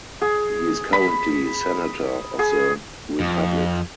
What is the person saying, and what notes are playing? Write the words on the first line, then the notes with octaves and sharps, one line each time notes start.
He is currently Senator of the Republic.
G#4
B5
G#4
F2